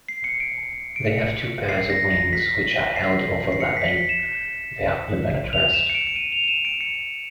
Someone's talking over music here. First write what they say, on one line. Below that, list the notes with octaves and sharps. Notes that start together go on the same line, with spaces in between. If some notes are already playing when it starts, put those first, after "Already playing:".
They have two pairs of wings, which are held overlapping the abdomen at rest.
C7
C#7
D7
D7
C#7
C7
A#6
A#6
B6
C7
C7
C#7
B6
B6
E7
F7
E7
C#7
D7
D7
D#7
F7
D#7
E7
D7
C#7